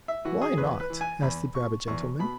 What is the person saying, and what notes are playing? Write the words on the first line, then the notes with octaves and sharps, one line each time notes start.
"Why, not?" asked the rabbit gentleman.
E5
E3 F#4
G#4
E2 B4
B4
E3
G#5
E2 B5
B2 C#6
E2 C#6
B2 B5